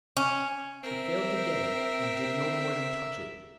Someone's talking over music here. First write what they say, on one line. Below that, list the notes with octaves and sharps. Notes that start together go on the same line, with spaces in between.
He failed to get it, and did no more than touch it.
C#4
C4 A#4 E5